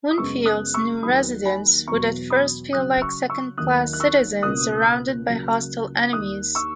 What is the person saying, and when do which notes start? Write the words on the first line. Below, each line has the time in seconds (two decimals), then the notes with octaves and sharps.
Winfield's new residents would at first feel like second-class citizens, surrounded by hostile enemies.
0.11 D#6
0.18 F#2 C#3 G#3 B3 C#6 E6
0.46 D#6 F#6
0.74 C#6 E6
1.02 D#2 D#3 F#3 A#3 B5 D#6
1.45 G#5 B5
1.88 E2 B2 F#3 A#5 C#6
2.30 B5 D#6
2.73 C#3 F#3 C#4 D#6 F#6
3.02 C#6 E6
3.30 C#6 E6
3.58 D#2 D#3 F#3 D#6 F#6
3.93 F#6
4.00 C#6 E6
4.42 C#2 B2 A#3 C#4 D#6 F#6
5.28 C#2 C#3 F#3 A#3
6.13 D#2 D#3 A#3 D#6 F#6
6.55 C#6 E6